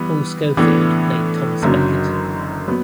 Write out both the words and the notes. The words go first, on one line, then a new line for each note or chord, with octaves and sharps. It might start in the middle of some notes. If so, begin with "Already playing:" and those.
Paul Scofield played Thomas Becket.
Already playing: E3 G3 B3
A2 E3 B3 D4
F#1 F#2 D3 F#3
F#3 B3